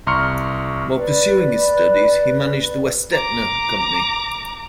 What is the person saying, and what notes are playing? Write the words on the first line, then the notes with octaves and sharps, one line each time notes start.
While pursuing his studies, he managed the Westetner Company.
C2 A#5 C6 C#6 F6 C#7
B4 D5
A#5 D6